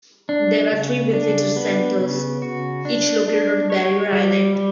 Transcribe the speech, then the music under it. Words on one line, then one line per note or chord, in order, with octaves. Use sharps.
There are three visitor centers, each located on a barrier island.
D4
C#3
D4
B3
C#3
F#4
D4
D4
C#5
G3
G3